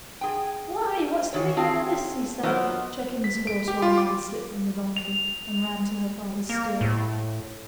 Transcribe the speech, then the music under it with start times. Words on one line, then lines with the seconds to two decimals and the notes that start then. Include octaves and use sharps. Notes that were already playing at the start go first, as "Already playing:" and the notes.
"Why, what's the meaning o' this?" he said, checking his horse, while Maggie slipped from the donkey and ran to her father's stirrup.
0.21 G#4 G5
1.33 D#3 E3 C#5
1.57 C4 G#4 F5 G5 A5
2.43 F#3 B3 F4 A#4 C5 D#5
3.24 B6
3.47 D7
3.68 G4
3.82 F4
3.98 D6
4.97 F7
6.49 A#3
6.81 A2